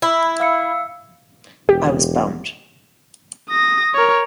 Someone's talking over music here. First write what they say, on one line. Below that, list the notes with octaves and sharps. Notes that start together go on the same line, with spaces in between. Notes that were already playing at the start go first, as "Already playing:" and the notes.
I was bummed.
E4
F5 E6 C#7
E1 G4
D#6 A#6
A#4 C#5